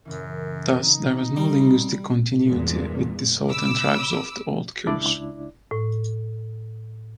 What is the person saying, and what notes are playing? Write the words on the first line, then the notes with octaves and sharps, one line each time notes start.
Thus, there was no linguistic continuity with the southern tribes of the old cures.
F#2 A#2 C#3 E3
D#4
G3
E2 G2 A#2 G#3
B5 D6 E6
C#2 D4 E4 D5
A2